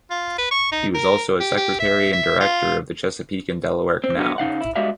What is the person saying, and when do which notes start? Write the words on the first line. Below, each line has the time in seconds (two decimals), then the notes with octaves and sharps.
He was also a secretary and director of the Chesapeake and Delaware Canal.
0.11 F4
0.38 B4
0.51 C#6
0.72 D#4
0.94 A#4
1.40 G4
1.57 G4
1.80 E5
2.13 E5
2.40 F4
4.04 C4
4.17 D3 F#3 B3
4.38 C#3 D#4 F5 F#5
4.61 E4
4.76 G3 G#3 F#4 D5 E5 F5